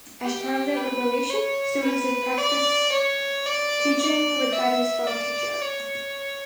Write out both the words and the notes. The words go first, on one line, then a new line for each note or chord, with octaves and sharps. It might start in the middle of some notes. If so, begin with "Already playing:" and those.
As part of their preparation, students did practice teaching with guidance from a teacher.
G4
B4
C#5
B4
D5
C#5
D5
D5
E5
D5
C#5